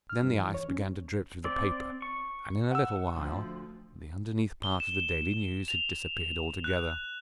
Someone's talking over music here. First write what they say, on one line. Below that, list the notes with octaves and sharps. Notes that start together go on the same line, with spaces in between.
Then the ice began to drip through the paper, and in a little while, the underneath part of "The Daily News" had disappeared altogether.
F6
G2
E3
C#5
C#4
C4 D5
C#6
F#5 E6
D2 F3
G7
E7
F7
F#6